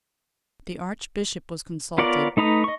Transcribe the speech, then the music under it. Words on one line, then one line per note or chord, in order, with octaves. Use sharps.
The Archbishop was consulted.
B3 F4 A#4 C#5 D5
A3 D#4 B4 A#5 D#6
D#5 C#6